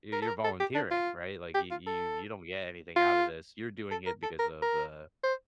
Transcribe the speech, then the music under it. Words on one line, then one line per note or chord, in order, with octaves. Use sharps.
you you're volunteering, right? Like you you you don't get anything out of this, you're doing it because of the
A#4
A4
A#4
A4
G4
D4
F4
G4
F4
A4
F4
A4
A#4
A4
A#4
A#4
C5